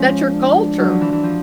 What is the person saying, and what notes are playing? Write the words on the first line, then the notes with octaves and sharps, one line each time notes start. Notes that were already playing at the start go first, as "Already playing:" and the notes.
that's your culture.
Already playing: F3 G#3 C#4
D4
F#3
F3
E3
E3
F3